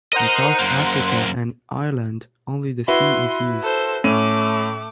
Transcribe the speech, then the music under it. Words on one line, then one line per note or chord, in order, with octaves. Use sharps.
In South Africa and Ireland, only the c is used.
A#4 C5 D#5 F#5 A#5
F#2 A#3
E4 F#4 B4 C6
A4 C5
A2 A3 C#4 D6 D#7